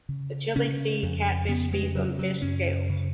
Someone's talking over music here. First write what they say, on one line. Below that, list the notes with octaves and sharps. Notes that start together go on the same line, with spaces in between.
The chili sea catfish feeds on fish scales.
C#3
C#3 C#4
F2
C#3 B3
G#3
C#3 F#3
F#3
F#2 C#4
C#3